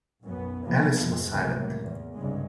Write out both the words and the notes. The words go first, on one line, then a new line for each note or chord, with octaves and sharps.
Alice was silent.
B1 F#2 B3
B1 E2 C3 F3 A#3 B3
F2 F3 G#3
C#2 A2 C3 E3 F#3 A#3
E2
C2 G2 C#3 G#3